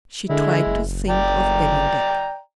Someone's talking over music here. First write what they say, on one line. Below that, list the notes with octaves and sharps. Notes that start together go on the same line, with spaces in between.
She tried to think of Bennydeck.
D3 G#3 E4
F#1
D5 G5 A#5